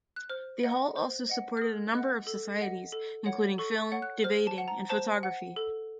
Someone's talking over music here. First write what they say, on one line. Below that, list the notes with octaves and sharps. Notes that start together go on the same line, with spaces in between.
The hall also supported a number of societies including film, debating and photography.
F#6
C5 F6
D#5 F#5
C5
D#5 F#5
F6
A4 D#6
D#5 F#5 F#6
A4
D#5 F#5
A4
C#5 F#5
A4 C#6
C#6
C#5 F#5
F#6
C5 F6
A5
F#5
A#5
C5 A5
F#5
A4